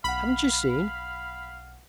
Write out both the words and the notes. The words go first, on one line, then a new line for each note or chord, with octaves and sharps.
'Haven't you seen?
B1 F5 F#5 B5